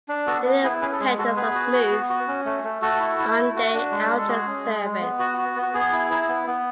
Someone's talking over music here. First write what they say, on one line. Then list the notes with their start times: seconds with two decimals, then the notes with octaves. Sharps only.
The inner petals are smooth on their outer surface.
0.09 D4
0.27 B3 F#4 A4
0.45 B3
0.63 E4 G#4 B4
0.81 C#4 G#4 B4
0.92 A4
1.00 G#3 G#4
1.18 G#3 F#4 A4
1.36 B3 G#4 B4
1.55 F#4
1.73 F#4
1.91 B3
2.10 F#4
2.28 C#4
2.46 A3
2.64 A3
2.82 A3 F#4 A4
3.00 E4
3.19 E4
3.37 A3
3.56 F#4
3.74 D4
3.91 G#3
4.10 G#3
4.18 A4
4.28 F#4 G#4
4.46 C#4
4.64 G#3
4.83 G#3
5.01 B3
5.19 F#4
5.38 F#4
5.55 B3
5.62 F#4
5.74 B3 G#4
5.93 E4
6.10 E4
6.29 B3
6.47 B3